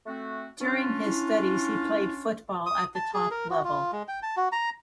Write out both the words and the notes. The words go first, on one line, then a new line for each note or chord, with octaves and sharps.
During his studies he played football at the top level.
A3 C4 F#4
C#4 D4 F4
E4
D#6
A5
G#4
A#4
F#4
F4
G#3
G5
A5
F#4
A#5